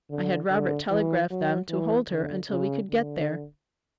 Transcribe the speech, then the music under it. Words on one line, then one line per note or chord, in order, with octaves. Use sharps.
I had Robert telegraph them to hold her until we could get there.
D3
D3
E3
F#3
E3
D3
C#3
D3